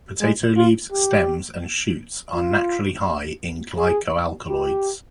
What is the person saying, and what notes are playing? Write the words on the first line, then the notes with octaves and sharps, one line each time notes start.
Potato leaves, stems, and shoots are naturally high in glycoalkaloids.
G#3
F4
G4
F4
G#4
G4